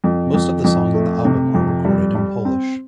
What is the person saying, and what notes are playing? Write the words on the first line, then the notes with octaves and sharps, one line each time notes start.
Most of the songs on the album are recorded in Polish.
F2
F2
F2
A3
C3
F2
G3
G3
C4